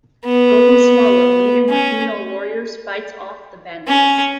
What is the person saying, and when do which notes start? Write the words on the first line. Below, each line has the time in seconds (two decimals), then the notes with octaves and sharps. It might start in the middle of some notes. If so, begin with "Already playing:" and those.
Golden Swallow, leading her female warriors, fights off the bandits.
0.25 B3
1.70 C#4
3.87 C#4